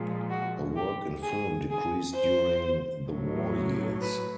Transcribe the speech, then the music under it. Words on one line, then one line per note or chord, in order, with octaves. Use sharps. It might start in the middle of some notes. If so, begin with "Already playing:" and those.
Her work in film decreased during the war years.
Already playing: A#2 F3 G#3
F#4
G4
G#4
G#4
C5
A2 F#3
B4